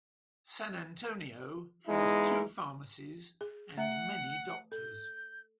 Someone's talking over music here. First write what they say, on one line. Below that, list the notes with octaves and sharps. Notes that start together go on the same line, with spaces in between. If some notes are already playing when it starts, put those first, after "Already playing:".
San Antonio has two pharmacies and many doctors.
E2 G#3 D#4 E4
G#4
A3 E5 F#5 A#5
A4 G6